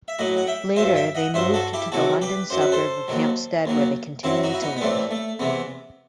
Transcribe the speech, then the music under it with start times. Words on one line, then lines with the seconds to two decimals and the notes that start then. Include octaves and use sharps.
Later they moved to the London suburb of Hampstead where they continue to live.
0.08 E5
0.19 A2 F#3 D#5 F#5
0.37 F#5
0.47 E5 G5
0.76 G2 F#3 C5 E5
0.96 E5 G5
1.15 D#5 F#5
1.34 G2 F#3 C5 E5
1.54 F#4 A4
1.73 E4 G4
1.92 E2 C3 F#3 F#4 A4
2.21 G4 B4
2.50 F#2 F#3 C5
2.61 B4
2.72 A4 C5
3.08 D#2 D#3 F#3
3.65 D#2 D#3 F#3
4.23 F#2 F#3 C4 E4
4.43 D#4 F#4
4.54 E4
4.62 B3 D#4
4.76 B3
4.81 A2 E3 G3 A3 C4
5.11 A3
5.39 E2 C3 E3 B3